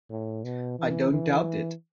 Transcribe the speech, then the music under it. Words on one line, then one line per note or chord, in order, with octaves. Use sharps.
I don't doubt it!
A2
B2
E3
E3